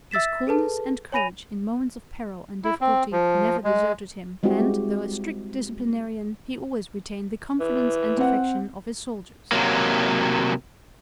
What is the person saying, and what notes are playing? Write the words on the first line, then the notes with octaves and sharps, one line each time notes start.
His coolness and courage in moments of peril and difficulty never deserted him, and, though a strict disciplinarian, he always retained the confidence and affection of his soldiers.
E5 E6 A6 B6 E7
G#4 A4 B4 A5
C#5 G#5 B5 A#6 D#7 F7
E4
C4
F3
G#3
G3 G#3 C4 E4 F#4 G4
E3
C4 F#5
C3 F#3 A#3